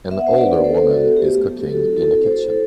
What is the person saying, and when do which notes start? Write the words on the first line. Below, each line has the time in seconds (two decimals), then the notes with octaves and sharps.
An older woman is cooking in a kitchen.
0.10 B3 E5
0.19 F#5
0.27 D4 C5 E5
0.37 B4 D5
0.46 B3
0.64 D4 A4 C5
0.81 B3
0.91 F#4 A4
0.99 B3
1.17 A3 G4
1.35 A3
1.44 G4
1.52 F#3
1.70 C4 F#4 A4
1.88 E4
1.97 F#4 A4
2.05 C4
2.23 A3 A4 C5
2.41 E4
2.49 A4 C5